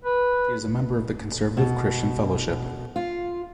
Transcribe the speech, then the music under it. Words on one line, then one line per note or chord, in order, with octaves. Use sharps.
She is a member of the Conservative Christian Fellowship.
B4
B2
F4